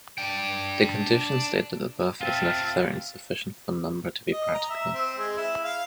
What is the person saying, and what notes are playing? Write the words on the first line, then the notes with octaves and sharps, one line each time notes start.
The condition stated above is necessary and sufficient for a number to be practical.
D4 G5
C4 F4 E5 F5 A5
D#5
A#5
E5
C4
G#3
E4
F5